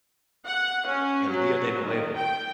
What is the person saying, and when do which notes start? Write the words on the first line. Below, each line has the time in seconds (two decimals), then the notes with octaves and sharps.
el dios de nuevo.
0.46 F#5
0.87 C#4
1.30 F#3
1.84 D#3
2.15 G5